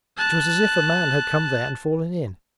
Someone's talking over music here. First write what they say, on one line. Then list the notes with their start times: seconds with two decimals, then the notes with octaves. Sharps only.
It was as if a man had come there and fallen in.
0.17 A5 F#6